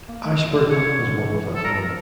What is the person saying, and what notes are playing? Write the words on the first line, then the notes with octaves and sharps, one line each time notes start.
Ashburton has one platform.
A#3
A3
D3
C#3 C#5
D3
D3
E3
E3
F3
A4
G3 A#4
F3